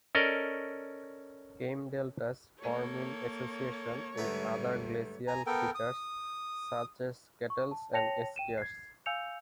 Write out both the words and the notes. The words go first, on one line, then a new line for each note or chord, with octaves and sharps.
Kame deltas form in association with other glacial features such as, kettles and eskers.
C#4 A4 A#4 D5 D#5
A#3 A4 C#5
G#2 D3 G3 A3 B3 A#4
G#5 A#5
B3 A4 A#4 G5
D#6
C#6
A5
C#5 G5 A5 A#6 C#7 F7
G5 D#7 E7
G#6 C7
F5 G#5 E6 G6 C#7 F7